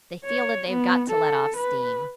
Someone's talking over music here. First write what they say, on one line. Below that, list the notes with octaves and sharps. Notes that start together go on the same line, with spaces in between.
They feel that they've got to let off steam.
C#5
B3
A4
B4